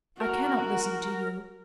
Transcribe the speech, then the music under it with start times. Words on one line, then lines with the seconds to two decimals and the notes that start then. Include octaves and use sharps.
I cannot listen to you.
0.21 F#4 A#4